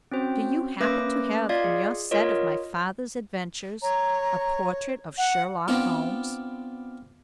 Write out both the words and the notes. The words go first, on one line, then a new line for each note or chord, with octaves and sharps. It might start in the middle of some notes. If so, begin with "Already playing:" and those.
"Do you happen to have in your set of my father's adventures a portrait of Sherlock Holmes?"
C4 C#4 F#4 C5
A#3 C#4 B4 E5 D6 A#6
F4 D5 D#5 F5 G#6
G#4
F4 A#4 C#5 D#5
C#5 A#5
F#5
B3 C4 D4 F4